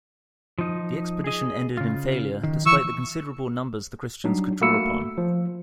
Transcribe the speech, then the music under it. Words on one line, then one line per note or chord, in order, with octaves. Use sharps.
The expedition ended in failure, despite the considerable numbers the Christians could draw upon.
F3 D#4
G#4 D#5
C#3 F4
D#3
E3 C#6 E6
F#3 G3 D4 D#4
A3 A#3 F#4 B5 E6 C#7
F3